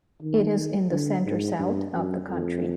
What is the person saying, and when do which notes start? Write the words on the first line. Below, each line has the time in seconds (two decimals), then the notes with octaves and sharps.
It is in the center-south of the country.
0.22 D#3
0.91 D3
1.26 G#2
1.60 G2
1.94 F#2
2.28 F2